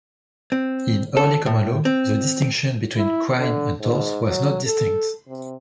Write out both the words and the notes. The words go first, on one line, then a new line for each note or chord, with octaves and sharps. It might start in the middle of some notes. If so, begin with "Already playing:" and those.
In early common law, the distinction between crime and tort was not distinct.
C4
A4
A2
C4
E4
D3
G#2
F#3
A4
C3